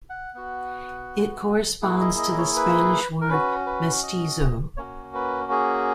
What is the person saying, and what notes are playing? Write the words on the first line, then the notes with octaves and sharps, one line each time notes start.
It corresponds to the Spanish word "mestizo".
F#5
B3 F#4
A#3 E4 G#4 F#5
D#5
D#5
D#5
C#5
B4
A#4
C#4 F#4 B4
B4
D#5
A#3 C#4 F#4 C#5
B4
G#4